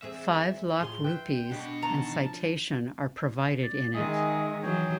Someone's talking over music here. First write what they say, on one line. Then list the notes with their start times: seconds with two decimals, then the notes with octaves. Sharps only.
Five lakh rupees and citation are provided in it.
0.02 E2 C4 G#4 E5
0.81 A2 F4 G#4 C6
1.04 B4 E5 G5
1.51 B2 B3 D4 G4
1.82 D#3 E3 A5 A#5
2.15 F3
3.63 D5
3.94 D#3 G#3 E5 G#5 D#6
4.63 E3 F#3 G#4 C#5 G5